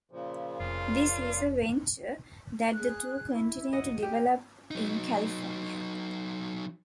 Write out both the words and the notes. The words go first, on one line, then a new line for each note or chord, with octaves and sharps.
This is a venture that the two continue to develop in California.
A#2 C#3 F3
F1 F4
G#4 F#6
E4
D#5 F#5
G4
F#3 D#4